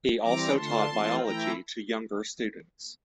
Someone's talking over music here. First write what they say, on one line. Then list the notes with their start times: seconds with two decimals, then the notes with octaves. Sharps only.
He also taught Biology to younger students.
0.23 E3 G3 C4 A#5 D6
0.56 D3 A3 D4 F4 A5 C6
0.90 E3 A3 C4 F4
1.22 E3 A3 E4 G5 A#5